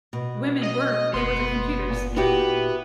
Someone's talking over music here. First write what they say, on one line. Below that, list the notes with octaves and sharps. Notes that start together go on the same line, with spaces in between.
women were they were the computers,
B2
D#5
F#1 B3 C6
A#2
A#2 B3 E4 F#4 G4